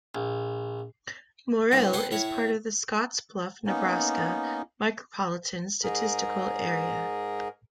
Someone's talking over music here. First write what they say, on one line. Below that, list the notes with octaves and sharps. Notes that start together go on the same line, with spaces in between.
Morrill is part of the Scottsbluff, Nebraska Micropolitan Statistical Area.
A#1
C2 G2 D3 B4 B5
G#4 A4 B4 C5 F#5 G5
A2 E4 C#5 C#6
A#3 B3 C#4 D#4
G#2 G#4 A#4